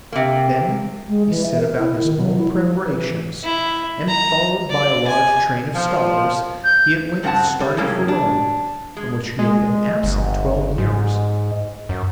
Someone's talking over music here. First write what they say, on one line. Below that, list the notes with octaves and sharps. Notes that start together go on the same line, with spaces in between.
Then he set about his own preparations, and, followed by a large train of scholars, he at length started for Rome, from which he had been absent twelve years.
C3 A#3
G#3
E3
E5
A#4
E4
D#3
F#3
E4
F3
E3
E4
A#5
D5
G#5
F3
G6
G2 C#3 C4 C#4 F#5 A5
G3
F#2 A2 C3 G#3 A#3 C#4
D4
G#3
G#3
G1
G#2
F#2